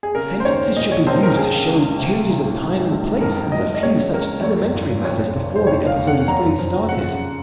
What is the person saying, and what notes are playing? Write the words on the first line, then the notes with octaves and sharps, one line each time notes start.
Sentences should be used to show changes of time and place and a few such elementary matters before the episode is fully started.
G#4
C#3 A#4
C5
D#2 C#5
A#2 D#5
C#5
A#1 C5
A#4
C#3 G#4
C#2
C3
C2
G#2
A#1
F2 A#4
F#3 D#5
D#5
C#3 C#5
C#2 A#4
F#2 C#5
G#1
F2 C#5
F1
C5
D#2 C#5
F5
F1
F#5
F#2 A#5
F3
C#3 F#5